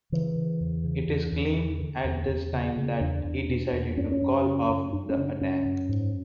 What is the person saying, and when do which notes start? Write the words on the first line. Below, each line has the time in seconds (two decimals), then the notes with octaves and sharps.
It is claimed at this time that he decided to call off the attack.
0.12 C#3 E3
0.36 C#3
0.60 E2
0.84 C#3
1.08 E2
1.32 E2
1.56 D3
1.80 D3
2.04 E2
2.28 E2
2.53 C#3
2.77 C#3
3.01 E2 D4
3.25 E2
3.49 B2
3.73 E2
3.97 F#2 C#4
4.04 D4
4.12 C#4
4.22 F#2
4.45 C#3
4.69 F#2
4.93 F#2 D4
5.09 C#4
5.17 C#3
5.25 D4
5.41 F#2 C#4
5.65 F#2
5.89 G#2